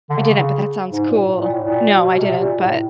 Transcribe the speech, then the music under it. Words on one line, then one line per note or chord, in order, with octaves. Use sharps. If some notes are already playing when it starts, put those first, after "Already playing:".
I didn't, but that sounds cool. No. I didn't, but,
D3
C#3
G#2
A#2
A2
A#2
A2
A#2
B2
B2
C3
A#2
A2